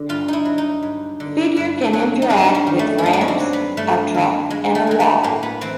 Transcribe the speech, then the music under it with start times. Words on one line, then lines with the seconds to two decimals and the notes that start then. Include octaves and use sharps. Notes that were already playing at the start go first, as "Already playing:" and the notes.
The figure can interact with ramps, a truck and a wall.
Already playing: D3
0.09 G2 F4
0.28 D#4 E4
0.45 F#3
0.58 D#4
0.83 G2
1.20 D3
1.57 G2
1.93 F#3
2.22 D#4
2.30 G2 D4
2.55 C#4
2.67 D#3
2.79 A3
2.98 E4
3.04 G2 D#4
3.13 D4
3.21 C#4
3.28 C4
3.40 F#3
3.53 B3
3.77 G2 A3
4.14 D#3
4.50 G2 G#3
4.75 A3
4.87 F#3 G#3
5.00 A3
5.23 A2 A#3
5.43 B3
5.61 E3 C4